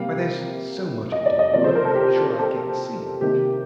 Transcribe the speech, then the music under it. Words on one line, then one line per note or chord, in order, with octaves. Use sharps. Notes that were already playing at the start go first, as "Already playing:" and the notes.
Why there's so much of it in the world, I'm sure I can't see.'
Already playing: C3 G3 A#3 F5
D#5
D5
D#5
C3 F3 A#3 D5
C5
A#4
A4
G4
A4
C3 D#3 A#3 G4